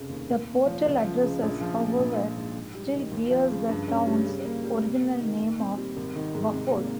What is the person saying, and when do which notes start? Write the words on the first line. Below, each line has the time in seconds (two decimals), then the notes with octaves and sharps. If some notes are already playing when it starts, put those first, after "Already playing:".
The postal addresses, however, still bears the town's original name of "Buford".
Already playing: F1 C#3
0.09 D#2
0.28 A#2
0.47 A#3
0.66 F3
0.86 C#2
1.04 F3
1.22 C#3
1.42 A#1
1.61 F3
1.80 A#2
1.99 A#1
2.18 F3
2.36 G#2
2.56 G#2
2.75 G3
2.94 D#3
3.12 D#2
3.31 F3
3.50 C#3
3.69 G2
3.88 C#4
4.07 G3
4.26 C#3
4.45 A#3
4.64 G3
4.83 C3
5.02 A#3
5.20 D#3
5.39 A#2
5.59 C4
5.77 G3
5.97 G#1
6.15 D#3
6.35 G#2
6.53 C3
6.72 A#3